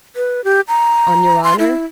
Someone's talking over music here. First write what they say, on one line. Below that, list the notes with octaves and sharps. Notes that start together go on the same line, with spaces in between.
"On your honor?"
B4
G4
A#5
C6
E4